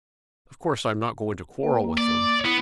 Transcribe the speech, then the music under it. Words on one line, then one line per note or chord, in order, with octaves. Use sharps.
Of course I am not going to quarrel with them.
A#3 B4 G5
A#3
D5
B3 E4